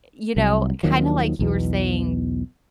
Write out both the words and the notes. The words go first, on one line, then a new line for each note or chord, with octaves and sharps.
you know, kinda like you were saying
C2 F#3
D#2 D#3 F3 F#3
B1 E2 B2